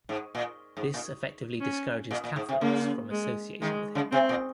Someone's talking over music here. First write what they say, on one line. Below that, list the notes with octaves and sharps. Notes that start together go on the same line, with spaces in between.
This effectively discourages Catholics from associating with him.
G#2
A#2
G#2
A#2
C#4
A#2
A#2
G#2
C3
C#3 A#3
G#3
D#3 G#3
C#3
C3 C4
A#2